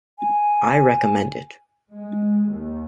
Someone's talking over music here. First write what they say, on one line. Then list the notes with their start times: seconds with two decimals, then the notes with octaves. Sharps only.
I recommend it.
0.19 G#5
1.90 G#3
2.47 D#2